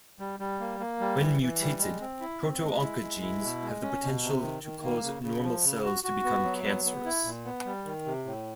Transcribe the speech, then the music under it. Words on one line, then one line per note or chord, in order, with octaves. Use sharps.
When mutated, proto-oncogenes have the potential to cause normal cells to become cancerous.
G3
G3
A#3
A#3
G3
E3
E3
G3
G#3
C4
E4
C4
G#3
E4
G#3
E4
B2
G#3
C#4
B2
C3
D#3
D#3
A#3
C#3
C#3
F3
C#3
F#4
F#4
B3
F#3
B3
B3
E4
A#2
B3
G3
D#3
C3
A2